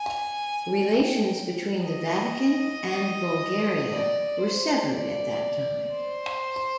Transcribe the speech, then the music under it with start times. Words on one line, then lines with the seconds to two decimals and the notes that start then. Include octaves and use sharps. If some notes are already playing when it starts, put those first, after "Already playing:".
Relations between the Vatican and Bulgaria were severed at that time.
Already playing: G#5
0.84 G5
1.86 D#5
3.91 D5
4.42 C5
4.93 D5
5.95 C5